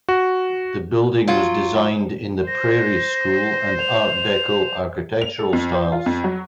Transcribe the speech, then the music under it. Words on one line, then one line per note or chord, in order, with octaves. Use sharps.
The building was designed in the Prairie School and Art Deco architectural styles.
F#4
F#3 F4
C5 A#6
F7
F7
A4
F2
C5
F4
F2
F#3